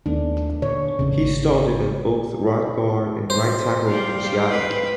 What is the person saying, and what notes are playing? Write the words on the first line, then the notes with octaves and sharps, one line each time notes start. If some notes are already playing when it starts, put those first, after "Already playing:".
He started at both right guard and right tackle for Seattle.
D#2 D#3 A3 B3 D4
A#2 D3 C#5
A1 F2 A2 C#3
G#1
A2 C5
G3 F5 G5
B4